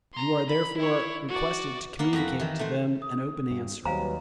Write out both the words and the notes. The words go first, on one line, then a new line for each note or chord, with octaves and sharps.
You are therefore requested to communicate to them an open answer.
A#5 C6
B5
E4 C#5
F#4 D5
A#3 B3 D5 F5
F2 F#4 A#5 B5
D#3 E3
A3 C5
D#6
G2
D#2 F#3 G3 B4 C5 F5 G#5 A#5